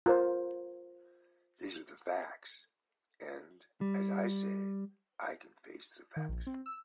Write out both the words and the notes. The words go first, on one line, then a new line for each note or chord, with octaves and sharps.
These are facts, and, as I said, I can face facts.
F4 A#4 C5
G3
D#3
A#1
C4
E6